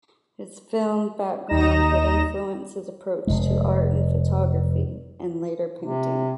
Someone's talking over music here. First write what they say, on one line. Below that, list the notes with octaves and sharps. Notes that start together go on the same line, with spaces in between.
His film background would influence his approach to art in photography and later painting.
D#2 D#4 D#5 A#5 A#6 E7
F1 G#3
C3